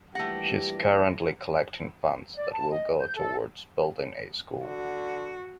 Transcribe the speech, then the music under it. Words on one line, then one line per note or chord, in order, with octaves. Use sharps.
She is currently collecting funds that will go towards building a school.
A#1 E3 G3 A3 G4 F#5 A#6
D5
A5
D#5
G6
A4
D3 F#4